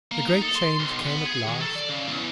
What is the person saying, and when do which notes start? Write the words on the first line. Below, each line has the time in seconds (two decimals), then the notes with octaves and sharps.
The great change came at last.
0.12 A#3
0.27 D#4
0.41 A4
0.55 C6
0.80 B1
1.06 B3
1.26 G#4
1.48 D#3
1.61 A4
1.76 D5
1.89 C#3
2.09 E2